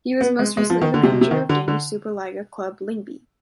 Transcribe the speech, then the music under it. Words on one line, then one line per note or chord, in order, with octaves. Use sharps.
He was most recently the manager of Danish Superliga club Lyngby.
B3
G#3
G#3
F3
D#3
D3
C3
B2
C3
D#3
D3
D3